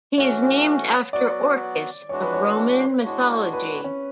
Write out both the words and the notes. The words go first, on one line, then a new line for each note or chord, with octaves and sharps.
He is named after Orcus of Roman mythology.
E3 A3 C#4 F#4 C#5
F#3 B3 F#4 D5
E3 G#3 D4 F#4 C#5
B4
C#5
C#5
A2 G#3 D4 F#4
B4
C#4